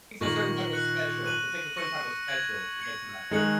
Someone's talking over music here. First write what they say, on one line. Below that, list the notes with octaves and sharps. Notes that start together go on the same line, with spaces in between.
It's a certain type of special it takes a certain type of special to get to that point.
A#2 D#3 C#6 A#6 F#7
F#6 C#7 F#7
F#6 D#7 F#7
C#6 A#6 C#7
G#6 F#7
G#6 C#7 F#7
D#3 G#3 F#6 C#7 F#7